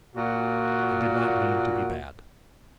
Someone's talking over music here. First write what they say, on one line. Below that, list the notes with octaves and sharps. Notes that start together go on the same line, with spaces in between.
I did not mean to be bad.
A#2 F#4